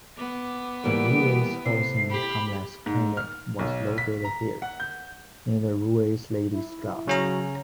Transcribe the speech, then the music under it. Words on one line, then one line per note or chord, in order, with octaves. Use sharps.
The Ruwais Housing Complex Clinic was located here, near the Ruwais Ladies Club.
B3 D6
E3 G3 A#3 D7
A2 C3 C7
G4 B5
G#2
F6
B1
B6
A#5
F#5
G6
E4
C#3 F#3 C#4 A#5